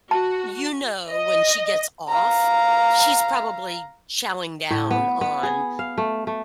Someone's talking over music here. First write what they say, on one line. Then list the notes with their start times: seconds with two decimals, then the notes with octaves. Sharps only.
you know, when she gets off, she's probably chowing down on
0.11 F#4 A5
1.11 D#5
2.09 F5 A#5
4.70 A2
4.91 B3
5.21 B3
5.43 G#4
5.79 F5
5.98 A3
6.27 A3